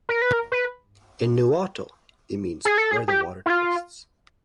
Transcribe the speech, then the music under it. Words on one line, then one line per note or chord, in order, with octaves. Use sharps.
In Nahuatl it means "where the water twists".
A#4
B4
A#4
B4
G#4
A4
G#4
G4
E4
F4